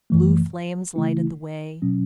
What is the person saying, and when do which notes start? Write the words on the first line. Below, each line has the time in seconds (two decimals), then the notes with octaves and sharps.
Blue flames lighted the way.
0.10 F#2 E3 A3
0.96 C#3 E3 A3 E4
1.82 B2 F#3 C#4